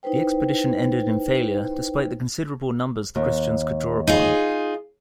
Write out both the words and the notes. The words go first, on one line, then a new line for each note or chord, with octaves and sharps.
The expedition ended in failure, despite the considerable numbers the Christians could draw upon.
D#4 E4 B4 C5 G5
D#2
D#4 F4 G#4